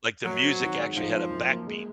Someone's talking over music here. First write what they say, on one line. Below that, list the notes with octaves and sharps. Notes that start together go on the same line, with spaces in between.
Like the music actually had a backbeat.
F#2 F#3
C4
D#3
G#3
G#2 F3
C4
F#2
A#3
G#3